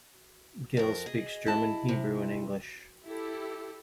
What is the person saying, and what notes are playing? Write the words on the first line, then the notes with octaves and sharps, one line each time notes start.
Gil speaks German, Hebrew, and English.
F2 A#4
G#4 D#5
E4 A5
C3
E4 G4 A4